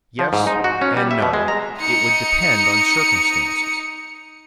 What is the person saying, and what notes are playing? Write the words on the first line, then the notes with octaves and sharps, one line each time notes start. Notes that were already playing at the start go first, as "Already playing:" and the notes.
"Yes and no--it would depend on circumstances."
F3
G#2
D#4
F#4
C#4
G3
E5
B2
G#3
A#5
D#4 C#7